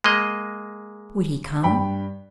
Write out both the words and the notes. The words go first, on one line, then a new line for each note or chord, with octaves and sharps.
Would he come?
G#3 A#3 D#5
G2 G5 B5